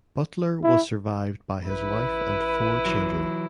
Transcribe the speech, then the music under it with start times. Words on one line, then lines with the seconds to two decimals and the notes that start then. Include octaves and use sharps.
Butler was survived by his wife and four children.
0.63 E4
1.69 A1 E4 B4
2.86 E3 F#3